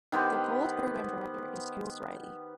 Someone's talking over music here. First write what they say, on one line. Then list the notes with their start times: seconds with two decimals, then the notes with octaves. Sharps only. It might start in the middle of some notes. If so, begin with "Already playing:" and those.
The Bull's program director is Jules Riley.
0.12 D#3 B3 G4 C5